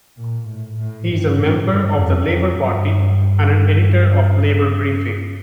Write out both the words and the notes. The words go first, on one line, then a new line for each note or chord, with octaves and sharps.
He is a member of the Labour Party and an editor of Labour Briefing.
A#2
A2
A2
G2
A2
G2
F2
F2
G2